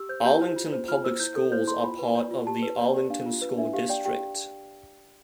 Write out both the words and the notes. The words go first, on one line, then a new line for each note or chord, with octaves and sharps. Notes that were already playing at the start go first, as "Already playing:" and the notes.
Arlington Public Schools are part of the Arlington School District.
Already playing: G4 E6
C5 G6
G4 G6
C5
F4
C5
F4 F6
C5 E6
E4 G6
A4
C5 G6
E4 C6
F4 B5
B4
D5
F4
G4 A5
B4
D5
G4
D4 F5
F4
B4
D4 E5
G4 F5
D5 G5
G4 G5